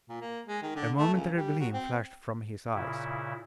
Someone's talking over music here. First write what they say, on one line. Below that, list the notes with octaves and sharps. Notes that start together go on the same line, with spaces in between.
A momentary gleam flashed from his eyes.
A#2
A#3
G#3
D#3
D3
A3
C#2
G3
F#3
C4
A#2 C#3 E4